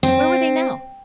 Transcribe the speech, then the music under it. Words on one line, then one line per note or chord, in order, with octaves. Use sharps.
Where were they now?
C4